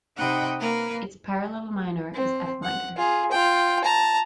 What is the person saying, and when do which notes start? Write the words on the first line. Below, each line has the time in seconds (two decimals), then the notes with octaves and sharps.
Its parallel minor is F minor.
0.17 C3 D#4 D#5 F#5 G5 B5
0.59 A#3 A#4 B4
2.13 C4
2.63 F#5
2.96 F4 G#4
3.31 F4 G5
3.84 A5 A#5